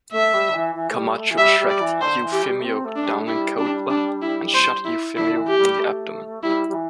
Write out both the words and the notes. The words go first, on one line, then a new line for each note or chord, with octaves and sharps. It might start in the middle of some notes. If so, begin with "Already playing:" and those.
Camacho tracked Eufemio down in Cuautla and shot Eufemio in the abdomen.
A3 E5
G3
D3
E3
E3
A3
G3
A3
E3
G3 E5
G3
D5
E3
D3 C5
E3
G4
G3
A3
C4
A3
D4
G3
A3
G3 E4
D4
D4
E4
C5
E4
D3 E4
D3
E3
G4
G3
A3
G3 E4
G3
E3